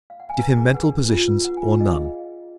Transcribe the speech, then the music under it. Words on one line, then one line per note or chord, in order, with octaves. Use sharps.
Give him mental positions or none.
F5
F#5
G#5
B4 A#5
G#4 G#5
B4 F#5
D4
F4
B4
B4 F#5
G#5
F4
F#5
G#4 D#5
F5